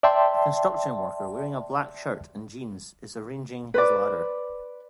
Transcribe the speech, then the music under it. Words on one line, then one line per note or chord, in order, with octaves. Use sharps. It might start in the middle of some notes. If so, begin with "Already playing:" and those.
A construction worker wearing a black shirt and jeans is arranging his ladder.
D5 E5 G5 A5 C6
B4 C5 D5